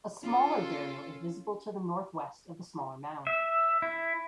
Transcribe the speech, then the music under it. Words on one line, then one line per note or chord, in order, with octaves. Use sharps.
A smaller burial is visible to the northwest of the smaller mound.
C#4 F4 A4
E5
E4